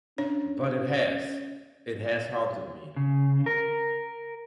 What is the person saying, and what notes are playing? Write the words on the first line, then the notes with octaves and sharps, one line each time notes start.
But it has - it has haunted me.
C#4 D4 C#5
C#3
A#4